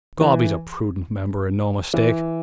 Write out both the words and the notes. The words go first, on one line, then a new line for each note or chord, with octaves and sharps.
Gob, he's a prudent member and no mistake.
E3
E3